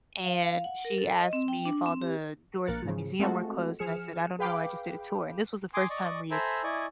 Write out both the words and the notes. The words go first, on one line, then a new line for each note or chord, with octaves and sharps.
and she asked me if all the doors to the museum were closed, and I said, "I don't know; I just did a tour"- and this was the first time we had
F5
F5
F#5
A#4
A4
D#5
C4
G5
D4
C4
G4
A#1 A#2 A#4 F#6 A6 C#7
G#2 C#3 F3
G#3 A3 C4 F4 F#4 A4
F3 G#4 F6 C#7 E7
G#4 B4 F5 G5 B5 D6
G#5 C6 D6 D#6
D5 D#5 C#6
A4 C5 E5 G#5 A#5 B5
E4 D5 D#5 G#5 C#6